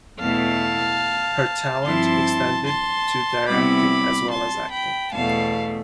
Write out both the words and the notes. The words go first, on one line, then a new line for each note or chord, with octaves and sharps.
Her talent extended to directing as well as acting.
E2 B2 A3 E4 F5 A5
G2 F3 C4 E4 A5 C6
A5 C6
C3 G3 B3 E4 B5 D6
A5 C6
G5 B5
E2 B2 A3 F5 A5